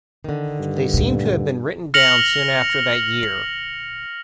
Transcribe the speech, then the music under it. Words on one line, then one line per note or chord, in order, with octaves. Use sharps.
They seem to have been written down soon after that year.
D3 D#3
G2
D2 A#2
F6 A#6 C#7 F7 F#7